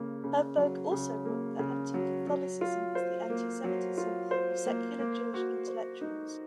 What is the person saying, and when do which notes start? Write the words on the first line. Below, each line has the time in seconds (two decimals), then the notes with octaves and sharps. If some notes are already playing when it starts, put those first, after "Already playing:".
Herberg also wrote that anti-Catholicism is the antisemitism of secular Jewish intellectuals.
Already playing: C#3 A#3
0.24 C#3
0.57 F#3
0.91 C#3
1.25 A#3
1.59 C#3
1.94 F#3
2.27 F#3
2.61 F4
2.95 C5
3.30 A#3
3.64 F#3
3.98 F4
4.31 C5
4.66 A#3
5.00 A#3
5.34 F#4
5.67 C5
6.01 D#4